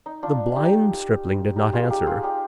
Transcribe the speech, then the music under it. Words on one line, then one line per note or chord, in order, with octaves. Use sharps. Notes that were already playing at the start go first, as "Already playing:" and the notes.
The blind stripling did not answer.
D#4
D4 F4
D#4 G4
D#4 G4
F4 G#4
D#4 G4
F4 G#4
D#4 G4